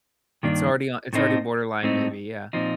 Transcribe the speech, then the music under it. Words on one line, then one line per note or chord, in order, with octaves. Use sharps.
It's already on it's already borderline, maybe, yeah.
G2 D#3 A#3 D4
A2 A3 C4 D#4
A2 A3 C4 D#4
A#2 F3 C4 D#4